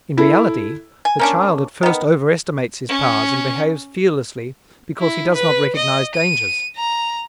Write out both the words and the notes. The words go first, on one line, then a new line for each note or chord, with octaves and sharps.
In reality the child at first overestimates his powers and behaves fearlessly because he does not recognize dangers.
E4 A4
G#5
A#3 C#4 D4
D#3 B3
C#4
E4
B4
D#5
D#7
A#5